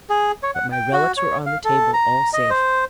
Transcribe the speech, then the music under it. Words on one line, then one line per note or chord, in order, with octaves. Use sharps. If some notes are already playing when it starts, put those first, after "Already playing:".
But my relics were on the table, all safe.
G#4
C#5
F#5
G5
F#4
C#5
F5
A4
A#5
D#5
C5